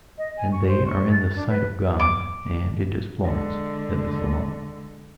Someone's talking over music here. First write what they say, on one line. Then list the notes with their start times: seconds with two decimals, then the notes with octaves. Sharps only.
And they are in the sight of God, and it is Florence that is alone....
0.18 D#5
0.37 G#5
0.52 C#6
0.67 C5
0.86 C#6
1.11 A6
1.35 D4
1.48 B4
1.99 D6
3.24 D3 G#3